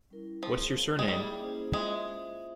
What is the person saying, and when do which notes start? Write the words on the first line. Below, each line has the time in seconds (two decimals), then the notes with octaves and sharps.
What's your surname?
0.10 G3 C#4 E4 A#4
0.43 F3 C4 F4 G#4
0.76 F4 A#4 C#5 F5
0.99 G#3
1.08 G3 A#3 E4 G#4 E5
1.40 A#3 C#4 E4 G#4 C5
1.73 G#3 F4 C5 E5